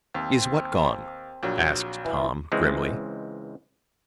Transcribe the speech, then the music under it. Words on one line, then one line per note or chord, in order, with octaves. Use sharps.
"Is what gone?" asked Tom, grimly.
D#2 C4
A#1 F#3
E3
C#2 E3 G#3 C4